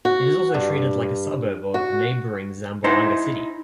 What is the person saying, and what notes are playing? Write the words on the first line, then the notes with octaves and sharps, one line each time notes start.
It is also treated like a suburb of neighboring Zamboanga City.
F#4
G2
F#4
D#4 E4 C5